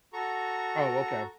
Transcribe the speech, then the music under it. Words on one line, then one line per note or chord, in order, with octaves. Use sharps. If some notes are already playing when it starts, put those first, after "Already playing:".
Oh, okay.
F#4 A4 A#5 C#6